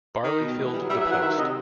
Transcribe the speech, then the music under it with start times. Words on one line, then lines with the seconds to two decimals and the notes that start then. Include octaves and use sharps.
Barley filled the post.
0.23 D#3 D#5
0.40 B2
0.57 A2
0.64 E3
0.73 G3
0.81 F#3
0.89 G3 E5
0.96 F#3
1.00 E5
1.04 E3
1.11 F#3 F#5
1.21 D#3 E5
1.38 C3 D#5